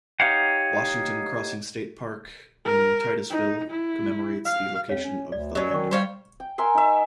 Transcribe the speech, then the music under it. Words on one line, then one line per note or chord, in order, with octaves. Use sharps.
Washington Crossing State Park in Titusville commemorates the location of the landing.
D#4 G4 C#5 F5 F#5
A#4
D#4
E4
F5
F2 C#5 F5
C#4
D2 D5
F#3 C#4 D5 D#5
D#3 D5 C#6
G3 C5 C#5 F5
G5
A#4 E5 G#5 C6
D#4 E5